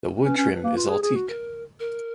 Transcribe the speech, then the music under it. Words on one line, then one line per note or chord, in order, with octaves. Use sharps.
The wood trim is all teak.
C#4 B4
C#4
A#3
F4
G#4
G#4
F#4
A#4
A#4